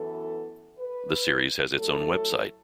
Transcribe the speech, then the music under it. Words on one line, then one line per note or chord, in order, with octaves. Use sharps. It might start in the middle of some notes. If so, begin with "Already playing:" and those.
The series has its own website.
Already playing: F#2 E3 B3 A4
B4
A2 F#3 A3 A4